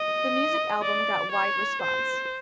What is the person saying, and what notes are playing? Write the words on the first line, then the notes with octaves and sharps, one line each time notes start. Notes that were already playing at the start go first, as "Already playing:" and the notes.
The music album got wide response.
Already playing: D#5
D5
C#5
C5